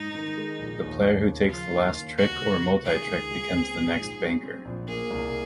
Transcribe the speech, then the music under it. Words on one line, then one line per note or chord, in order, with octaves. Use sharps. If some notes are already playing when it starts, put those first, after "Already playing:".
The player who takes the last trick or multi-trick becomes the next banker.
Already playing: G#2 D#4
D#3
G#3
A#1
D#2
D#2
C#3
F3 F4
D#2
D#2
C#2 F#4
C#2
C3
D#3 G#4
C#2
C#2
C4
A#1
G#2
F#3
C4
A#1
A#3 G#4
C2